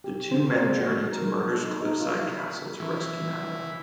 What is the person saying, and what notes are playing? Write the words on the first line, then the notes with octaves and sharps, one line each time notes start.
The two men journey to Murder's cliffside castle to rescue Madeleine.
G4
C5
C4
G#3
F#4
A#4
A4
D#4
D#4
F4
E4
B5
E3